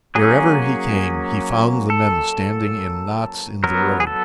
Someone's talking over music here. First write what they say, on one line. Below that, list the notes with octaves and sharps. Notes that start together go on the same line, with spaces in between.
Wherever he came he found the men standing in knots in the road.
F#3 A#3 C#4 G#4
A4
F#3 B3 A#4
G#4
A4